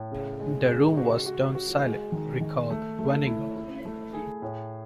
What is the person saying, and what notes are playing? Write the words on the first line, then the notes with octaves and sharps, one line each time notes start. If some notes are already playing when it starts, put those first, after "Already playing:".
"The room was stone silent," recalled Veninger.
Already playing: A2
C#3
G#3
C#3
F#4
F#4
F#4
G#3
D#3
D#3
A3
A3
E4
E4
A3
G#4
A2